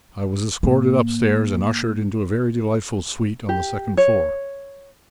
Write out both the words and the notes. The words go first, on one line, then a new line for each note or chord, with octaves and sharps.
I was escorted upstairs and ushered into a very delightful suite on the second floor.
A2 A#3
G4
C#5